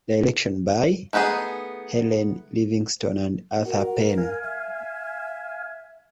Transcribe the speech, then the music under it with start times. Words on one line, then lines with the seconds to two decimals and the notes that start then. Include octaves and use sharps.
Direction by: Helen Livingston and Arthur Penn.
1.13 A3 B3 D#4 F#4 G#4
3.65 F#4 A#4
4.18 F5 G#5
4.43 E5